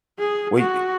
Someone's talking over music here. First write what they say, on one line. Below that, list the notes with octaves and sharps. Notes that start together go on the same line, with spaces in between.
wait it
G#4
F#4